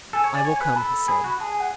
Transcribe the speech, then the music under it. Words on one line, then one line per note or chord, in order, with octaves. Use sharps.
"I will come," he said.
A4 G#5
C#5
D5 G#5
C#5 G#5
C#5
B4 G#5
A4 B5
G#4
F#4
G#4 A5
G#5
F#5